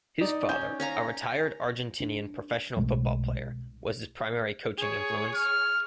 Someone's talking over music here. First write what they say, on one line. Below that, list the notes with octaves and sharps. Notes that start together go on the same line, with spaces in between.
His father, a retired Argentinian professional football player, was his primary coaching influence.
D#4 D5
C#4 G6
C#4 F5 A#5
D4
B1 B2 G#3 A3
G#4 C#5
F6